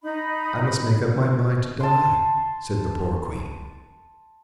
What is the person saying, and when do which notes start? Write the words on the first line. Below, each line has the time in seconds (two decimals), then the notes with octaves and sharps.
"I must make up my mind to die," said the poor Queen.
0.02 D#4 B5
1.80 A5 C6